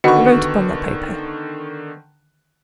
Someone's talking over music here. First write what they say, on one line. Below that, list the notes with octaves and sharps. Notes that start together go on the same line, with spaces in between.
"And wrote upon that paper."
D3 D#3 B3 F#4 D#5 C#6